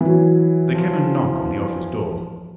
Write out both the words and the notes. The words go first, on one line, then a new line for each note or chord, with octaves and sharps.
There came a knock on the office door.
E3 F#3
F3